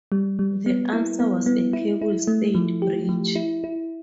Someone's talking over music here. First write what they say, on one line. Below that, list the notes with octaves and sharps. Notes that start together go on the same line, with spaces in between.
The answer was a cable-stayed bridge.
G3
G3
B3
E4
B3
B3
E4
E4
A3
F3
G4
F3
E4
E4